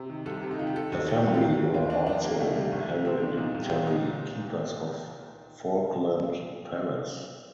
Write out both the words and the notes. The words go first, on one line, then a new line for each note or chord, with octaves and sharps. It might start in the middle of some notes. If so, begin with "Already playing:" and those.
The family were also hereditary keepers of Falkland Palace.
Already playing: C3
D#3
C2 A4
C3
D#4
D#3 F4
G4
D#3 A4
D#2
D#2 G4
D#3 F4
G4
D#3
D#2
D#2 F4
D#3 D4
F2 D4
C3 A#3
D#3 A3
D#3 G3
C2 A3
C2
C3 C4
D#3 D4
A#2 D#4
C2
G4
A#2 F4
D#4